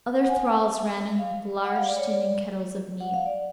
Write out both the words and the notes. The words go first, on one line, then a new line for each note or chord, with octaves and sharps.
Other thralls ran in with large steaming kettles of meat.
F#5
G#5
F5
F#5
F5
D5
C#5
D5
F#5
F5
D5